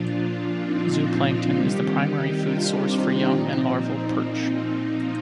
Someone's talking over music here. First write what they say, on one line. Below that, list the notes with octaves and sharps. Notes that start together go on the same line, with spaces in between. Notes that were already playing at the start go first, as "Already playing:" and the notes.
Zooplankton is the primary food source for young and larval perch.
Already playing: A#2 F3 D4 F4
C4 D#4
D4 F4
C3 D#3 G3 D#4 G4
D#4 G4
D4 F4
C4 D#4
A#2 F3